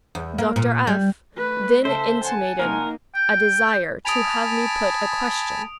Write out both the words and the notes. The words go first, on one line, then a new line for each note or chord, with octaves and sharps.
Dr. F--then intimated a desire to have me put a question.
E2
A#3
A#2
G3
A3 B4
C#3 A4 C5 E5
F#5 G#5 A5
C3 F3 F#3 A#3 D#4 A#4
G5
G#5 A5 B5 D#6 D7 F7